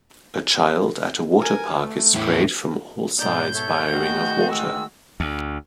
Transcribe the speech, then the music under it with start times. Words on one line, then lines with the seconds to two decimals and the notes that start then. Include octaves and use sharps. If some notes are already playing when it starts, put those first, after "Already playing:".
A child at a water park is sprayed from all sides by a ring of water.
1.39 A#4 G#5
1.70 A3
2.15 E2 A2 E4
3.19 G#2 B2 D#4 D5 G6
3.54 A4 C#5 E5
3.91 D#3 G#3 A3 F#4
4.51 E6
5.20 D2